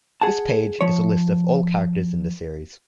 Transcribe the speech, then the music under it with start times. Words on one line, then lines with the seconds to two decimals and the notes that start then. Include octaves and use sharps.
This page is a list of all characters in the series.
0.21 G#4 F#5 A5
0.81 F3 C#5